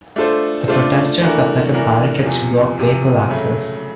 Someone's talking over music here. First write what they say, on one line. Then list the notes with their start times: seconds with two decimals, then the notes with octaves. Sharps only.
The protesters have set up barricades to block vehicle access.
0.16 A3 D4 F4 A4 C5
0.68 A3 D4 F4 A4 C5
1.21 E3 A3 D4 F#4 A#4
1.73 E3 A3 D4 F#4 A#4
2.25 E2 C3 F3
2.78 E2 C3 F3
3.30 C#3 F#3 A3